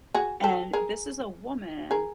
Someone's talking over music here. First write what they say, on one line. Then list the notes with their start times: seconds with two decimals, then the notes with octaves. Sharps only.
and this is a woman
0.14 F#4 G#4
0.44 G4 A4
0.73 G#4 A#4
1.91 G#4 A#4